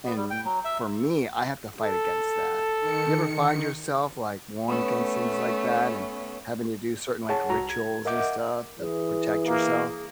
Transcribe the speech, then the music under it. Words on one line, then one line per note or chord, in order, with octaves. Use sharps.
And for me, I have to fight against that. Do you ever find yourself, like, warned against things like that and having to do certain, like, rituals and stuff to protect yourself?
B3
G3
G5
F#3
E5
A4
D#3 C#7
A3 B3 C#4
G#4 C#5 F#5 G#5 A5
C2 F#4 A#5
G#6
A#4 D#5 E5 F#5 D6 G6
E3 G#4
A#3